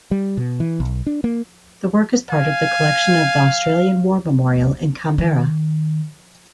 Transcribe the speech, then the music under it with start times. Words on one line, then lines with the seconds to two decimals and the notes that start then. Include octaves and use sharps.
The work is part of the collection of the Australian War Memorial in Canberra.
0.11 G3
0.37 B2
0.60 E3
0.80 B1
1.07 D4
1.24 A#3
2.31 F5 G#5
5.18 D#3